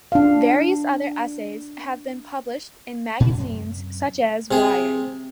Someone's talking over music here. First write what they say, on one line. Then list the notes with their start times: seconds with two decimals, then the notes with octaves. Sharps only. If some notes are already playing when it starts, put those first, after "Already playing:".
Various other essays have been published in magazines such as "Wired".
0.12 D4 F5
3.20 A#2 C#3 C#4
3.39 F#2 C3
4.51 C3 G#4